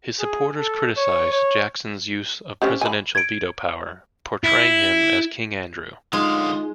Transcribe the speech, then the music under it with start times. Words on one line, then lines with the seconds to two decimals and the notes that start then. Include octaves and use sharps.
His supporters criticized Jackson's use of presidential veto power, portraying him as King Andrew.
0.20 G#4
0.58 A4
0.97 C#5
1.32 C#5
2.62 C4 C#4 G4
2.81 G#5 B5
3.15 G#6 D7
4.44 E4
6.13 D3 G#3 D#4 F4 F5 C6 D#6